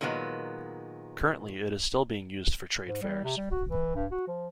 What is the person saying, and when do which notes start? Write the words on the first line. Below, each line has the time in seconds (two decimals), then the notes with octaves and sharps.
Currently it is still being used for trade fairs.
0.01 A#2 D#3 F#3 G#3 B3
2.88 G#2
3.02 G3
3.24 C3
3.37 G3
3.51 F#4
3.69 E3
3.95 G2
4.11 F#4
4.28 F3